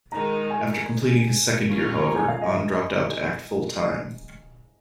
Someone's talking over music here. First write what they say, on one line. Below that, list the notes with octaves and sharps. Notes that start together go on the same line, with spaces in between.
After completing his second year, however, Ahn dropped out to act full-time.
D#3 G#3 D#4 A#5
G#5
C#4 F4 A#4 C#5
A#5
G#5
F5
D#5